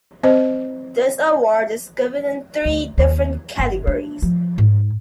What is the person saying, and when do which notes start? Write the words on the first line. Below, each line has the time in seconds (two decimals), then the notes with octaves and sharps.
This award is given in three different categories.
0.23 C4 C5 D#5
2.65 D2
2.98 D#2
3.59 G1
3.87 D4
4.22 F3
4.58 G#2